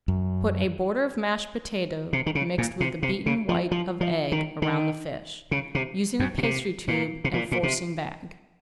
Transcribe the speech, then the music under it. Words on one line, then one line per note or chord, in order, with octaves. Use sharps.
Put a border of mashed potato mixed with the beaten white of egg around the fish, using a pastry tube and forcing bag.
F#2
C3
D#3
C#3
A#2
C3
C3
C#3
F3
F3
F3
D#3
D#3
C#3
C3
F#2
A#2
C3
A#2
C3
A#2
A#2
C3